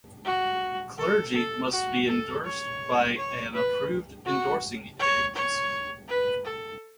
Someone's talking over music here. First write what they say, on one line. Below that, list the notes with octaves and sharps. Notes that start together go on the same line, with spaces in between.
Clergy must be endorsed by an approved endorsing agency.
F#4
A4
A4
F#4
A4
C#5
C#5
B4
F#4
C#5
C#5
B4
A4